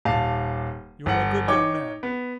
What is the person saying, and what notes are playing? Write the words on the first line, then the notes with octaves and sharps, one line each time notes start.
You are a good young man.
D#1 F5 A5
G1 F#5
D#4 C#5 G5 D6
B3